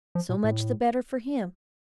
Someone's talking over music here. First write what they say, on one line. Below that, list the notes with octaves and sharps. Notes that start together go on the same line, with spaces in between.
So much the better for him.
F3
A#2
A2